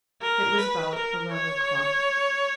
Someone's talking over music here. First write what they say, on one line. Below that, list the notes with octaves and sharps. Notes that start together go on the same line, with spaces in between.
It was about eleven o'clock.
A#4
B4
A#4
C#5